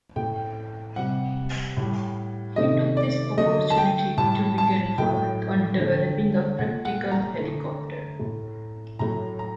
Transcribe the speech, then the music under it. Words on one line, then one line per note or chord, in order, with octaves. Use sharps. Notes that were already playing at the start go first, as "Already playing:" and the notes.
He took this opportunity to begin work on developing a practical helicopter.
A2 A3 G5
C3 G3 F#5
A2 G3
C3 D#3 A3 D#5
D5
D3 F#3 A3 D#5
A5
G5
A2 G3 A5
A5
A2 F#3 A3 G5
D3 A3
A#2 A3 F#5
F#5
A#5
D3 A3
A2 A3
A2 F#3 A3 A#5
A#5